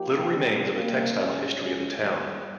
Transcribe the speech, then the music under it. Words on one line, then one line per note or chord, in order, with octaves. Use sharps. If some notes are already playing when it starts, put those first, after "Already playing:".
Little remains of the textile history of the town.
Already playing: F3 A#3 D#4 G4
C3 G3 C4
C3 G3 A#3
C3 F3 G#3 C#4
F2 C#3 F3 G#3 C#4
G#2 D#3 G3 A#3